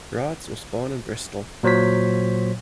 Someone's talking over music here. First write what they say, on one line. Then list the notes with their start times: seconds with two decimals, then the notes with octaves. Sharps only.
Rahtz was born in Bristol.
1.63 A#2 F#3 C5 C#5 B6